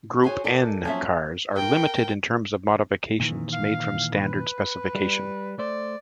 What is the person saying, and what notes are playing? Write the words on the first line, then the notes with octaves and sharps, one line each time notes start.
Group N cars are limited in terms of modifications made from standard specification.
F#4 G#4 C5 C#5 G#5
G4 A4 A#4 D5
F3 F#3 A#3 C#4 F4 E5
A#4 G5
A#2 D#3 E3
F5
B4
G3
A3 C5 D5